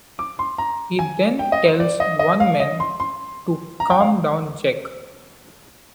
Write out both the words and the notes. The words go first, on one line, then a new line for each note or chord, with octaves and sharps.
He then tells one man to Calm down Jack!
D6
C6
A#5
G#5
G5
D#5
C5
D5
D#5
D#5
F5
D#5
C6
C6
A#5
G5
F5